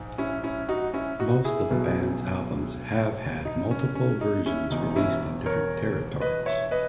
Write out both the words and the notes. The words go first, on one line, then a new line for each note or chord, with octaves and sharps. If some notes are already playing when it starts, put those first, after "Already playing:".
Most of the band's albums have had multiple versions released in different territories.
Already playing: A#1 G#2
C#4 E4
C#4 E4
D#4 F#4
C#4 E4
D#4 F#4
E4 G#4
B1 B2 F#3
D#4
C#4
C#4
D#4
C#4 E4
E1 E2 B2 D#4
D#4
C#4 E4
A#4 C#5
B4 D#5
C#5 E5
B4 D#5